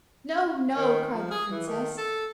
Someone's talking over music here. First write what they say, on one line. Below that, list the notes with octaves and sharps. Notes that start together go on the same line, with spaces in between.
"No, no," cried the princess.
D#3
F3
G#4
E3
D#3
A4